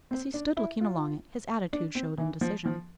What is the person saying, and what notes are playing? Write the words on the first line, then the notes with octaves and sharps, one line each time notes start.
As he stood looking along it, his attitude showed indecision.
C4
D4
E4
F4
D4
C4
E3
F3
F3